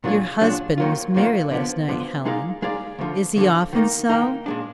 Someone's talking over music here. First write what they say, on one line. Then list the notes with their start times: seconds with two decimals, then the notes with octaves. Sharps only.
'Your husband was merry last night, Helen: is he often so?'
0.04 A#2 F#3 D4 F4 G#4
0.41 A#2 F#3 D4 F4 G#4
0.78 F2 D#3 F#3 A#3 F4
1.14 F2 D#3 F#3 A#3 F4
1.51 D3 F3 B3
1.88 D3 F3 B3
2.25 G#3 D#4 G#4 D5 F5
2.62 G#3 D#4 G#4 D5 F5
2.99 D2 D3 F3
3.36 D2 D3 F3
3.73 D#3 A#3 D#4
4.10 D#3 A#3 D#4
4.46 A#2 G#3 D4